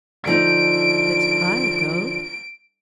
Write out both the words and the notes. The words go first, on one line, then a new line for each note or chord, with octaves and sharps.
But I'll go.
D3 F3 D#4 D7